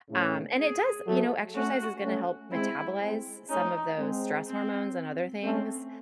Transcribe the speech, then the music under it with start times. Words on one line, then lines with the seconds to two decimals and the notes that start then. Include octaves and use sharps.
um, and it does you know, exercise is gonna help metabolize some of those stress hormones and other things,
0.10 A2 C#3
0.58 G#4
1.07 F#3 A3
1.55 A3 C#4 F#4
2.04 A3 C#4
2.52 G#3 C4 E4
3.01 G#3 C4
3.49 A3 C#4 D#4
3.98 G#3 C4
4.47 C4
5.43 A3 C4 C#4